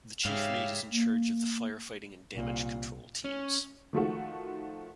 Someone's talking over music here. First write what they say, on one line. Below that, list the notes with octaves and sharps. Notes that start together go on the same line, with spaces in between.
The Chief Mate is in charge of the firefighting and damage control teams.
G#2 C#3 G4 E5 F5
A#3
C2 A#2
C#4
D#3 F3 A3 F#4